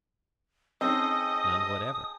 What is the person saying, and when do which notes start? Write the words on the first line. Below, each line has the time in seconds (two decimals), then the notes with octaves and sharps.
None whatever.
0.81 C4 C#4 D#4 G#4 A4 D#5 G5 D#6